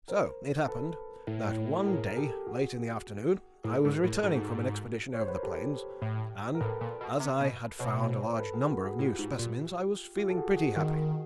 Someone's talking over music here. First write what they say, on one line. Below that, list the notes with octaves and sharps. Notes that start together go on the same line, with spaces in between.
So it happened, that one day, late in the afternoon, I was returning from an expedition over the plains, and, as I had found a large number of new specimens, I was feeling pretty happy.
A#4 C5
A4 B4
A2
G#4 A#4
A#4
G4 A4
F#4 G#4
A2 G#4 A#4
G#2
G#4 A#4
A2
A4
G#2 F#4 G#4
C#5
C5
B4
A#4
G4 A4
A2
A#4
A2 A4 B4
A#2
B2
C3
B2
B2 B4 C#5
C5
C#5
A#4 C5
A4 B4
G#4 A#4
F#4 G#4
F#4 G#4
A2 F4 G4
G#2
A#2
F4 G4
A4
F#4 G#4
F#4 G#4
D#3 F#4 G#4